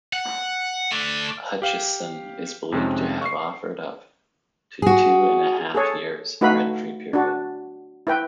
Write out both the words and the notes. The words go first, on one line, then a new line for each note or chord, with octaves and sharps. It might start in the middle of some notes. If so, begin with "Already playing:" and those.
Hutchison is believed to have offered up to two-and-a-half years rent-free period.
F#5
A3 D4
G4 F5
F2 C3 D#3 G#3 C4 C#4
C#6 C7
F#4 G#4
G#4 A4 C#5
A3 D#4 F#4 B4 F5 B5
D4 F#4
E4 B4 G5